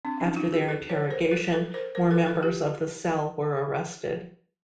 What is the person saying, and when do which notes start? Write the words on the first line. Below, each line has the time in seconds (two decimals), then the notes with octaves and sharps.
After their interrogation, more members of the cell were arrested.
0.05 C4 D4
0.20 C#4 D#4
0.36 D#4 F4
0.52 F#4 G#4
0.68 A4 B4
0.89 B4 C#5
1.10 A#4 C5
1.31 A4 B4
1.53 A4 B4
1.74 A#4 C5
1.95 A#4 C5
2.11 A4 B4
2.26 A4 B4
2.43 F4 G4